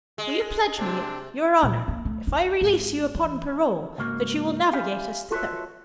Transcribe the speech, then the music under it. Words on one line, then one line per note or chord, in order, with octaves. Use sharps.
Will you pledge me your honour, if I release you upon parole, that you will navigate us thither?
G#3
C3 C4 D4
A#2
A#3
A3
D#4
G#1
E3
C#2 G#2 A#3 F#4
G4 E5 F5 G#5 B5
F4 F#4 A4 B4 C#5 E5